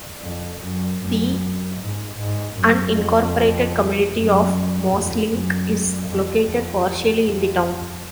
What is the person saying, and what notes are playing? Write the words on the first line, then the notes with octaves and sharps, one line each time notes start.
The unincorporated community of Mosling is located partially in the town.
F2
F#2
F#2
G#2
G#2
F#2
F2
F#2
F2
F#2
F2
F2
F2